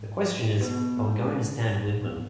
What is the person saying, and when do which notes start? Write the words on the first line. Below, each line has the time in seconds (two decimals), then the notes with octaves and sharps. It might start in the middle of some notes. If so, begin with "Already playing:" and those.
The question is: Are we going to stand with them?
Already playing: G#2
0.60 B2
0.97 A2
1.02 G#2
1.87 F#2
2.00 E2